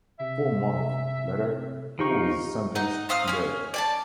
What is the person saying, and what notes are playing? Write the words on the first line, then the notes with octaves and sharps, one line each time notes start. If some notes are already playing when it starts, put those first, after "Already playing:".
Four months later he was sentenced to death.
C3 E5
F3 D#4 G4 C#6
D#4 F#5
C4 F5 D#6 F6
C#4 G#5
D5 G#5 A5